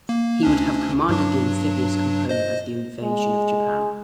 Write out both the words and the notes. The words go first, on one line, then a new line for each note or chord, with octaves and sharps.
He would have commanded the amphibious component of the invasion of Japan.
A#3
D2 C#4 D4
G2 F#3 D4
C5 D#5
G#3